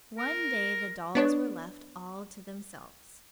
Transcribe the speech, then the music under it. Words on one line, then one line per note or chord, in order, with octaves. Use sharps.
One day the dolls were left all to themselves.
A#4
B3 D4 C#5